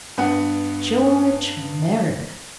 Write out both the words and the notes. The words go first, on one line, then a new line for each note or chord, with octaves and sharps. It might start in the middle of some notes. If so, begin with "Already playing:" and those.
George Meredith?
G2 B3 F#5